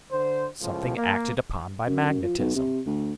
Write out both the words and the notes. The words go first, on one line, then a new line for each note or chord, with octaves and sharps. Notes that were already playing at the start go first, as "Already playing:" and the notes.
Something acted upon by magnetism.
D3 C5
C#2 A2 F3
A#3
F#2
F#2
F3
B1
C3
D2